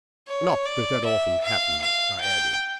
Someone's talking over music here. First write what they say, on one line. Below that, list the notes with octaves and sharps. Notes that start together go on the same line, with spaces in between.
"Not that that often happens," I added.
C#5
D5
E5
F5
F5
G5